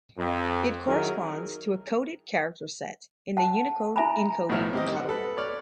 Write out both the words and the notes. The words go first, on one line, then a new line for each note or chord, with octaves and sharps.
It corresponds to a "coded character set" in the Unicode encoding model.
F2
D#3 F#3 E4 G#4 A#4
F#5 A5
E4 E5 G#5 A#5 B5
B1 A2 F#3 D#4 E4 F6
C4 G4 D#5
G3 F#5
A4 B4
C#5 D5 F6